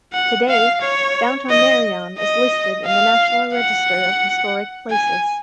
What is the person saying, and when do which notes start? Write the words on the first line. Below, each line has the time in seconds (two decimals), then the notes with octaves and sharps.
Today, downtown Marion is listed in the National Register of Historic Places.
0.13 F#5
0.49 F5
0.81 C#5
1.50 D#5
2.19 D#5
2.86 F5
3.55 F#5
4.91 G#5